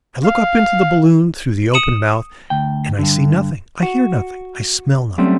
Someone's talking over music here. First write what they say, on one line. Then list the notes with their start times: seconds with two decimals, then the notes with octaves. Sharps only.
I look up into the balloon through the open mouth, and I see nothing; I hear nothing; I smell nothing.
0.24 F5
1.74 D#6 C#7 D#7 E7 F#7
2.50 D2 G5
2.99 G2 D3
3.83 F#4
5.18 F#3 G3 A3 C4 C#4